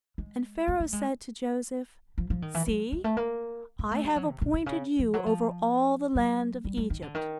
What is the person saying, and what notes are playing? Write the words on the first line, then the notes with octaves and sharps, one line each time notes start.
And Pharaoh said to Joseph, See, I have appointed you over all the land of Egypt.
G#3
A#3
A3
G#3
F3
F3
D#3
E3
F#3
G#3
A3
A#3
A#3
A3
G3
F#3
C3
C3
C3
C#3
F3
F#3
F3
F#3
G3
G3
D#3
D3
D#3